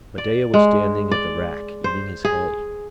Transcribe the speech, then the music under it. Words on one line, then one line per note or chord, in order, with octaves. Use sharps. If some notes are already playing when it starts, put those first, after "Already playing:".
Medeah was standing at the rack, eating his hay.
D5
G#3
D5
C5
G#4